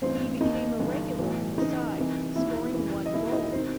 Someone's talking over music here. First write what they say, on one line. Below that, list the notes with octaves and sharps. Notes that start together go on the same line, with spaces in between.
He became a regular in the side, scoring one goal.
A1 G2 E3 C4 C5
D#2 D#3 D#4 D#5
G1 G2 E3
B1 A2 E3
F#1 F#2 E3 D#4 D#5
C2 C3 E3
E1 D#2 D#3 E4 E5
F#1 F#2 E3
D#5
E1 D#2 D#3 E4 E5
D#4 D#5
E1 D#3 C4 C5